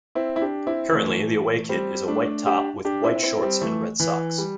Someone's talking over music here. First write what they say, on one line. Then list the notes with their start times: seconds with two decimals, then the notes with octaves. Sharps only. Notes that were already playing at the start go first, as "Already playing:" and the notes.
Currently the away kit is a white top with white shorts and red socks.
0.15 C4 E4
0.36 E4
0.42 D4 G4
0.67 C4 E4
0.92 E3 A3
1.69 G3 C4
2.08 A3 D4
2.46 D4 G4
2.85 D4 G4
3.03 C4 E4
3.23 C4 E4
3.42 G3 C4
3.61 E3 A3
4.00 E3
4.38 G3